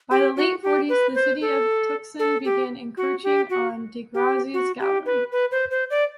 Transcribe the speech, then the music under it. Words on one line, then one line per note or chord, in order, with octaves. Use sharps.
By the late forties, the city of Tucson began encroaching on DeGrazia's gallery.
G4
F#4
G4
B4
C5
A4
A4
G4
F#4
G4
F#4
G4
F#4
G4
B4
B4
C5
C5
D5